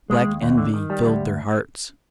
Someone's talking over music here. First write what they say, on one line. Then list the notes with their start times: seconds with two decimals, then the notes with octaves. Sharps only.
Black envy filled their hearts.
0.10 G#3
0.25 D#2
0.42 D#2
0.57 D3
0.74 D#3
0.90 G3
1.06 D2